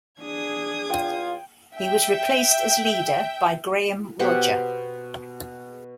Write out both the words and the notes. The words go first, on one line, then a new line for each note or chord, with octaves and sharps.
He was replaced as leader by Graeme Rodger.
D4 G#4 D#6 G#6
E2 F4 G5
E5 G5
B2 G4 C5 F#5